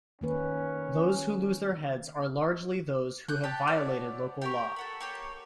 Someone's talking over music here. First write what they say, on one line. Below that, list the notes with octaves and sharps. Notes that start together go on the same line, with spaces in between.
Those who lose their heads are largely those who have violated local law.
D#3 A#3 C#4 B4
F#6 G6
G4 G5 A5
E4 F#4 C#5 D5
G4 A#4 C#6
A4 F#5 B5
A#3 G4 C#5